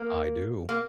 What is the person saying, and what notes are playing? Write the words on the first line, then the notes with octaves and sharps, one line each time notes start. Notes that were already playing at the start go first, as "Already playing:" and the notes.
I do.
Already playing: A#3
A#3